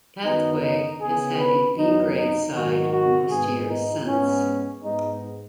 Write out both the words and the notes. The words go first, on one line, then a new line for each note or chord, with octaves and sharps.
Padthaway has had a B Grade side most years since.
F#2 D#3 F#3 B3 D#4
D#4
C#3 B3 G#4
B4
F#2 F#3 B3 D#4
D#4
G#2 D#3 F#3 F#4
F#4
G#2 D#3 G#3 B3 G#4
D#4
G#2 G#3 B3 C#4
G#2 G#3 B3 D#4